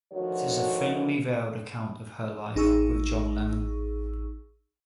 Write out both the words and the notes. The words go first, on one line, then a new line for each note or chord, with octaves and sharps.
It is a thinly veiled account of her life with John Lennon.
D2 D#3 F3 F#4 C#5
A1 D#4 G#4 C#6 E6